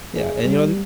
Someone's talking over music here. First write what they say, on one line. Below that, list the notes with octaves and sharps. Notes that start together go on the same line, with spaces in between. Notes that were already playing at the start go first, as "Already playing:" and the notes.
Yeah, and, you know, the
G#4
G3